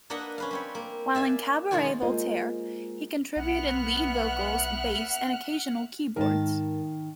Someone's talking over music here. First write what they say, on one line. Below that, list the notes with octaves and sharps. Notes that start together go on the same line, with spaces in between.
While in Cabaret Voltaire, he contributed lead vocals, bass and occasional keyboards.
A#3 D4 B4 D#5 F#5 B5
C#4 B4 F5
G3 C4 C#5
A#3
D5 E5 F5 G#5
B2 D#3 G#3 F4 D5 G#5
G#3 A#3 F4 C5 D#5
B1 B3 E5 F#5 F6 F#6
G#2 D#3 A#4 A5